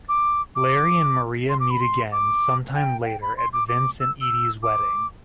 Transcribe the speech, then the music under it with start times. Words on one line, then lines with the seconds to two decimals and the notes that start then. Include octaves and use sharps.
Larry and Maria meet again some time later at Vince and Edie's wedding.
0.09 D6
0.56 D6
1.49 C6
1.60 D6
1.71 B5
1.81 C6
2.12 D6
2.75 G5
3.02 F5
3.06 G5
3.22 B5
3.37 C6
3.53 D6
3.68 D6
4.00 E6
4.21 E6
4.63 D6